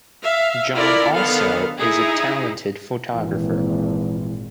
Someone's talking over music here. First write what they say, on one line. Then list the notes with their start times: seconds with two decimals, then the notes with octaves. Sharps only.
John also is a talented photographer.
0.22 E5 F5
0.74 E4 F4 A4 A#4 D5
1.14 D3 D#3 B3 A4 F5
1.78 D#4 E4 G#4
3.14 G#1 A#2 E3